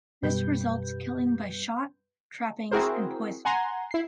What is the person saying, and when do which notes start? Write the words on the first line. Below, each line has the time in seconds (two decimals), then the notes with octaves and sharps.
This results killing by shot, trappings, and poisoning.
0.23 F#2 B2 G3 G4 B4 G6
2.71 C4 E4 F#4 G#4 A#4 C5
3.45 F#5 G#5 A#5 C6
3.91 E4 C7